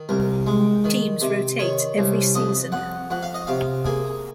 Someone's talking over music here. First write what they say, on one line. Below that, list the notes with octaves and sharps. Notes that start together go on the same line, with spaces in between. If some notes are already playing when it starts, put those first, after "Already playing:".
Teams rotate every season.
Already playing: D#3
C2 A#4
G#3
D#3
C3
D#3 C#5
C2
F2 D#5
F2 F#5
F2 F#5
F5
D#5
C3 F5
A#3 G#4